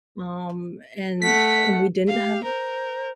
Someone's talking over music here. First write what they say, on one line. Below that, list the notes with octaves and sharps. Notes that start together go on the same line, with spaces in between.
Um, and, uh, we didn't have
A3 F#5 B6
G4 F5
A#4 C5